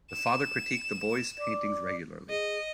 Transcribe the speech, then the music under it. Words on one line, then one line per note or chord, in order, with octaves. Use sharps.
The father critiqued the boys' paintings regularly.
E7
D5
G#4 D#5